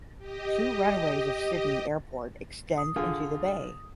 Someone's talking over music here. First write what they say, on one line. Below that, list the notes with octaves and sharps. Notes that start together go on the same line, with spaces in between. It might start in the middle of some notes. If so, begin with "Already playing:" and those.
Two runways of Sydney Airport extend into the bay.
G4 D#5
D#6
D3 F4 G#4